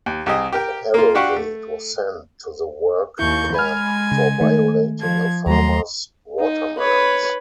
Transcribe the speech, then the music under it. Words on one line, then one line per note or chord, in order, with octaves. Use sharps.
Harrogate was sent to the work camp for "violating" a farmer's watermelons.
D#2
C2 G4 G#4 D#5
G4 A#4 G5
A#3 F4
D4 F#4 G4 F5 F#5 C#6
A3
D#2 E4 C#6 G6
G#3 G#5 B5 F6
C#3
D#3 A3
F3 G#6
D#2 F#3 A3 A#5 C6
D#4
B4 C#5